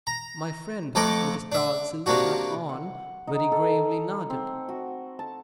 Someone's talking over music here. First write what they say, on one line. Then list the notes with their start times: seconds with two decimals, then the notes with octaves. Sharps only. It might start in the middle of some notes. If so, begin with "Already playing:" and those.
My friend, with his tall silk hat on, very gravely nodded.
0.07 A#5
0.95 F2 A3 A4 F#5 A#5 D6
1.52 D4 E5
2.06 C3 A#3 D4 F#4
2.69 F#5
3.27 D#4
3.52 A4
4.30 C4
4.69 F#4
5.19 A5